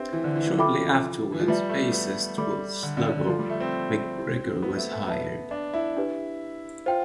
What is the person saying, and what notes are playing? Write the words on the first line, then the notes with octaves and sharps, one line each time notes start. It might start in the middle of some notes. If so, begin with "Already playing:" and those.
Shortly afterwards, bassist Will "Sluggo" MacGregor was hired.
Already playing: C4 D4 G4 B4 E5
E3
D3
E3
E3
F3 A4 E5 G5 B5 D6
E3
F3
G3 F4 B4 E5 A5
A3
B3
G3 A4 E5 B5 D6
D3
D3
D3
F3 A4 D5 F5 C6
G3
A3
C4
E4 G4 C5
B3
A3
A3
B3 B4 E5 A5
D4
E4
D4 G4 B4
F4 C5 G5